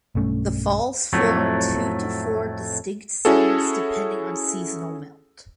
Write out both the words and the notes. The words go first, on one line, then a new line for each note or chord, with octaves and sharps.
The falls form two to four distinct segments depending on seasonal melt.
B1 G2 A3 C#4
F2 A2 F#3 A3
C#4 E4 F#4 G#4 A4